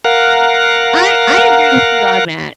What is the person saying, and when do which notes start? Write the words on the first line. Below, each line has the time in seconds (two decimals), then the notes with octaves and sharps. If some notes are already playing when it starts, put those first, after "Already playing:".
I I agree with you on that,
0.05 A#4 F5 F#5